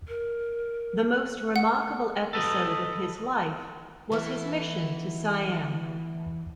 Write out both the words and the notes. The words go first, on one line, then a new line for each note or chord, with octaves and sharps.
The most remarkable episode of his life was his mission to Siam.
A#4
F#5
A4 B4 D#5
E3 A3 B3 E4